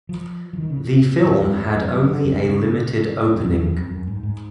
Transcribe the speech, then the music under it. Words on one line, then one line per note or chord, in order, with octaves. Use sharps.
The film had only a limited opening.
F3
F3
D#3
C#3
C3
A#2
G#2
F2
F#2
F#2
A#2
C3
C#3
A#2
F#2
F2
F#2
F2
F#2
G#2
G#2